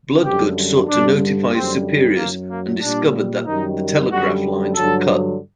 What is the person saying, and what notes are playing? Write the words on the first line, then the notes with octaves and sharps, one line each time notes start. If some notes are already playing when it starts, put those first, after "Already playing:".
Bloodgood sought to notify his superiors and discovered that the telegraph lines were cut.
F#2 D3 G3 G4
G2 D3 G3 D4
F#2 D3 G3 C4
F#2 F#3 A#3
A#3
A#2 G3 D4
F#2 D#3 G3 D#4
F#2 D3 G3 F#4
G2 D3 F#3 A4